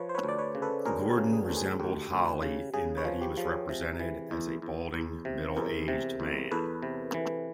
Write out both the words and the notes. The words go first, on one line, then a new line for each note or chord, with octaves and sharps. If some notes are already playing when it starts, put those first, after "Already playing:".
Gordon resembled Holly in that he was represented as a balding middle-aged man.
Already playing: F3 B4 C#5
C5
B4 C#5
D2
D5
B4 C#5
C#3
A4 B4
D2 G#4 A#4
G4 A4
C#3
G#4
D2
G#4
D2 G4
D2
C#3
C#3 G#4
B4 C#5
F3
G4
F3
G#4
C3
E3
E2
E2
E2
C3
E2 G#4 A#4
C3
E2
E2 A4 B4
C3
E3